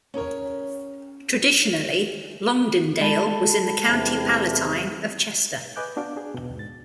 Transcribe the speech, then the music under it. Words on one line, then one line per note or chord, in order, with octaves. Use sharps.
Traditionally, Longdendale was in the County palatine of Chester.
C#4 G#4 A#4 C#5
G#3 A4 A5 B5
E2 C3
B4 D#5 G#5 D6 F#6 G6
B3 D4 F#4 F5 D6
D4 G#4
B2
G#2 A6